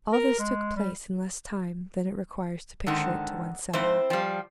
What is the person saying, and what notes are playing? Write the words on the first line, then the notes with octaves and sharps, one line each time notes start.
All this took place in less time than it requires to picture it to one's self.
A#4
G#3
G3
G#2 D3 D#3 A4 D#5 F#5
F2 G#2 C4 E4 A4 C5
F3 G3 F5 G5